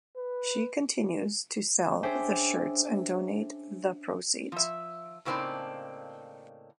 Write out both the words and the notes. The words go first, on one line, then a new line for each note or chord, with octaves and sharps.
She continues to sell the shirts and donate the proceeds.
B4
C#4 D4 G#4 C5 E5 G5
F3 E5
A2 C#3 A#3 C4 D4 D#4